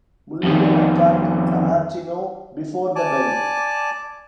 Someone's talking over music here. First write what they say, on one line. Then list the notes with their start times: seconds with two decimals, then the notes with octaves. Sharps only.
Mulligan attacked Sammartino before the bell.
0.43 F2 D#3
2.96 D5 G#5 A5 D6